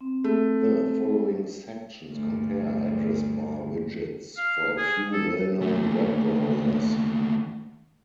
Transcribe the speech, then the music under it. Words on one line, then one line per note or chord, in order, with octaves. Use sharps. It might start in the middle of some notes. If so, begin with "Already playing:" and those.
The following sections compare address bar widgets for a few well-known web browsers.
C4
A3
D2 G2
F5
G#4
A4
D#2 A3